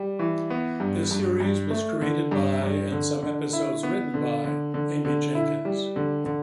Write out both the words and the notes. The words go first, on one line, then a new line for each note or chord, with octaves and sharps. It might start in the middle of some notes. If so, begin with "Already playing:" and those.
The series was created by, and some episodes written by, Amy Jenkins.
Already playing: G3
E3
B3
G2
G2
G2
A3
D3
G2
G2
D3
D3
E4
B3
D3
D3
D3
D3
E4
G3
D3
D3